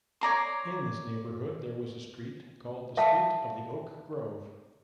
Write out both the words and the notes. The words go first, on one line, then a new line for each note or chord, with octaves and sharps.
In this neighborhood there was a street called the Street of the Oak Grove.
C#5 D5 A#5 C6
E5 F5 A5